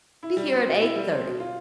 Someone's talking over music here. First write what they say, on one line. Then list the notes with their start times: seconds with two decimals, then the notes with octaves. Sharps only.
Be here at eight-thirty.
0.23 E4
0.37 G3
0.51 C4
0.66 B2
0.81 E4
0.95 G3
1.10 C4
1.25 B2
1.40 F4